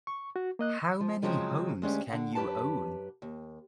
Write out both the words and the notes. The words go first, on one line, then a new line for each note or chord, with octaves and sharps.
How many homes can you own?
C#6
F#4
A#3 D#5 F#6
F3
C#3 F3 F#3 G#3 B3 C4
D2 G#3 C#4 G4
D3 F#5
F#2 C3 G4 B4 A5
D#2